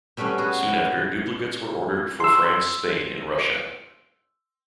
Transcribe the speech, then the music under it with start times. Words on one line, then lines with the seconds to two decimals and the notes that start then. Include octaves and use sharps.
Soon after, duplicates were ordered for France, Spain and Russia.
0.17 B2 G3 A3 B3 C#4
0.38 B3 F#4 G#4
2.20 C6 E6